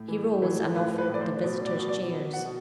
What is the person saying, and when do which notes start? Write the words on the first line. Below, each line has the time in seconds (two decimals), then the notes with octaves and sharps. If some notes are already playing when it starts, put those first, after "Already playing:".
He rose and offered the visitors chairs.
Already playing: A2
0.08 E3
0.42 E3
0.76 A2 B4
0.98 B4
1.09 A2 D5
1.21 C5
1.44 B2 D5
1.66 D5
1.78 B2
1.89 D5
2.11 B2
2.33 F#5
2.45 B2